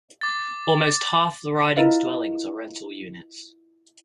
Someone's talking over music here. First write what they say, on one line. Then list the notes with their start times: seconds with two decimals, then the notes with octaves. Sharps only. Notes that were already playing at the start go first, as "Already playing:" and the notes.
Almost half the riding's dwellings are rental units.
0.21 D6 A6
1.77 E4 F4 A#4 B4 D#5 F5